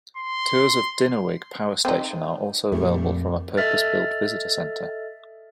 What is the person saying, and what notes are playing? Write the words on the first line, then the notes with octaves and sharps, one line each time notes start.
Tours of Dinorwig power station are also available from a purpose-built visitor centre.
C6
C4 D#4
F2 A#2 G3 A3
A4 D#5 E5 F6 A6